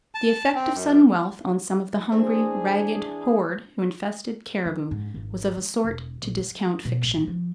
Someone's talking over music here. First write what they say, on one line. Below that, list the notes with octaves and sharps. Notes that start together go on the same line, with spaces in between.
The effect of sudden wealth on some of the hungry, ragged horde who infested Cariboo was of a sort to discount fiction.
A5
C4
F#2
E3 C4 D4 G#4 C5 E5
F1
G#2
G#1
G#3
E1
A#1
F#3
B2
A1
F3